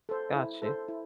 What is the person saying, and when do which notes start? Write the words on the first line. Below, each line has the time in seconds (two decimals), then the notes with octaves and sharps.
Got you.
0.09 A4 C5
0.35 E4
0.62 A4 C5
0.88 E4